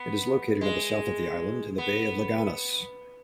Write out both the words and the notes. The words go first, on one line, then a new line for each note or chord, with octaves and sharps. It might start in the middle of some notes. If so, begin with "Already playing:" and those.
It is located on the south of the island, in the Bay of Laganas.
Already playing: B3
G#3
B3